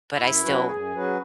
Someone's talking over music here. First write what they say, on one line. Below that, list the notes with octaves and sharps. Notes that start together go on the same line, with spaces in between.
But I still
F#2 E4
F#3 C#4 F#4 B4
F#2 G#4
F#3 C#4 F#4 B4